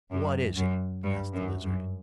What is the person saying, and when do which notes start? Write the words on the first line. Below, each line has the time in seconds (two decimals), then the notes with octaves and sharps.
"What is it?" asked the Lizard.
0.11 F#2
0.56 F#2
1.03 G2
1.33 F#2
1.64 F#2